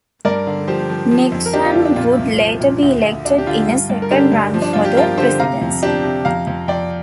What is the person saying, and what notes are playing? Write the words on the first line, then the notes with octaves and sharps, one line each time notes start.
Nixon would later be elected in a second run for the presidency.
G2 A#4 D5
D3
F3 G4 C5
F3
F3
F2
A#4
F3 D4 G4
F4
F2
D4
A#2 F4
C2
F3
A#2
D2
D2
D2 D4
G4
D3 F4
G2
G2
A#4
D3 D4 G4
G2
F3
D4
G2 F4
G4
F3 F4 A#4
D3 G4 C5
C3 F5 A#5
F2
F3 D4 G4
C3
F2 F5 A#5
F2
F2 D5 G5